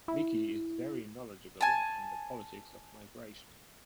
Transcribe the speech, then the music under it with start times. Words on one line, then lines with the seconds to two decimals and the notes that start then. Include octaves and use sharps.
Vicky is very knowledgeable on the politics of migration.
0.08 E4
1.61 G#5 A5